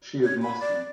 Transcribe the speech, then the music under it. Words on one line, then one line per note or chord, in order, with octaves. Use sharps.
She is Muslim.
C#5
B5
D5